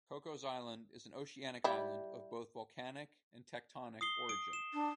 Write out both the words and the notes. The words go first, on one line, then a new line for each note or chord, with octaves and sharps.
Cocos Island is an oceanic island of both volcanic and tectonic origin.
G3 E4
D#6 C7 G7
D#6 D7
E7
D4